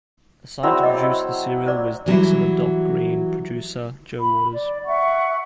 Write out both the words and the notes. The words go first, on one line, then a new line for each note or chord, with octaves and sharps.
Assigned to produce the serial was "Dixon of Dock Green" producer Joe Waters.
F#3 C4 E4 G#4 D5 E5
D#5 G5 D6
C5 D5 D6
E3 F#3 G3 E4
B5
D5
E5 F#5 C#6